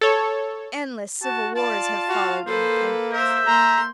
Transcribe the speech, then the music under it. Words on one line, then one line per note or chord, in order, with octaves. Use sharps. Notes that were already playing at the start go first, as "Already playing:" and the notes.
Endless civil wars have followed independence.
A4 C#5
F#4 A5
F4 D5 A5
F#4 F5
A#3 A4 B4 C5
A#4 C5 E5 G6
A#3 A#5 C6